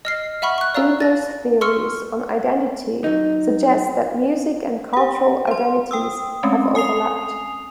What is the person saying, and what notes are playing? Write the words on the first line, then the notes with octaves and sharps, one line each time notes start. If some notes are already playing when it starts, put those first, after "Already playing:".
Dietler's theories on identity suggest that music and cultural identities have overlapped.
D#5 F6 C7
E5 F#5 B5 C#6 F6
C#6 F#6
D5 F5 A#5 E6
A6 A#6
C6 C#6 E6 F6 C#7
F#3 D#4
G4 F#5
C5 C6
G5 D#6 E6
G#3 A3 C4 C#4
G#5 D#6 C7 F7